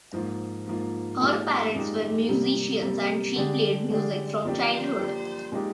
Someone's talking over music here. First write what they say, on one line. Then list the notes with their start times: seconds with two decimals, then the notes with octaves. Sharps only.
Her parents were musicians, and she played music from childhood.
0.13 G#2 F3 A#3 F4
0.66 G#2 F3 A#3 F4
1.20 A#2 G#3 D#4 G4
1.75 A#2 G#3 D#4 G4
2.28 C3 G3 A#3
2.83 C3 G3 A#3
3.36 D3 G#3 D4 G4
3.90 D3 G#3 D4 G4
4.44 F3 A#3 D4 G4
4.99 F3 A#3 D4 G4
5.52 A#2 G#3 D#4 G4